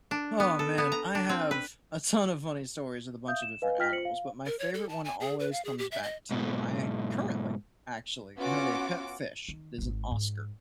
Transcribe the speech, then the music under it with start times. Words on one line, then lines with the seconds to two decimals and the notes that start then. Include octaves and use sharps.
Oh, man. I have a ton of funny stories with a bunch of different animals, but my favorite one always comes back to I currently, actually, have a pet fish, is an oscar.
0.11 D4
0.40 B3
0.59 A4
0.78 B3
0.92 A#5
1.15 D4
1.29 C4
1.51 B4
3.27 E5 F5 D#6 G6
3.42 E7
3.62 B4 D#5 F5 G#5
3.78 F4 D#5 G5 F6 A#6 B6
3.92 F4 C5 C#7 F#7
4.05 F5
4.46 A#4
4.59 C#5
4.74 A4
4.89 A5
5.04 G#5
5.20 G#4
5.39 B4
5.52 F5
5.65 G#4
5.78 G4
5.91 E5
6.03 D#5
6.31 G#2 B2
8.38 B3 C#4 F4 F#4 D6
9.48 D#3
9.78 D1 G#1
10.11 G#2